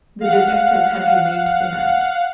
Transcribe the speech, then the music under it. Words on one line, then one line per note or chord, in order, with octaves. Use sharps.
The detective had remained behind.
F5 F#5